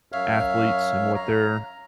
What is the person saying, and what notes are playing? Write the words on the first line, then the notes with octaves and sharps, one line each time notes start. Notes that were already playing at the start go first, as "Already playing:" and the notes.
athletes and what they're
F#2 C#5 E5 F5 F6
A#5